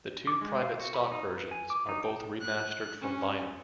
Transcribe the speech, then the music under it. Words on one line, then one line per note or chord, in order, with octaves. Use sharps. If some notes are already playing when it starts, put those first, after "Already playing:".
The two Private Stock versions are both remastered from vinyl.
D6
G#3
F5
F#4
B5
D#4
B4
G#5
D6
D#4
G5
F#6
C#4